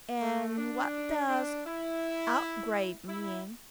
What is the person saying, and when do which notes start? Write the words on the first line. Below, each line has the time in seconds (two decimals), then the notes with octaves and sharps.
'And what does "OUTGRABE" mean?'
0.21 A3
0.57 D4
1.29 D4
1.65 E4
3.09 E4